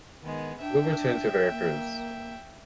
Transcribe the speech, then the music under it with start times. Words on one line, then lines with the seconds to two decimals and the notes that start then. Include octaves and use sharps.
We’ll return to Veracruz.
0.22 D#3 G#3 B3
0.60 D4 E5 G5
1.49 A#3